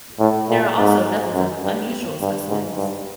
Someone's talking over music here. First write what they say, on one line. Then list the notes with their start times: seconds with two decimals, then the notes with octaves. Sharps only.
There are also dozens of unusual specimens.
0.19 A2
0.49 A#2
0.78 G#2
1.34 F#2
1.63 G2
2.21 G2
2.49 G#2
2.77 G2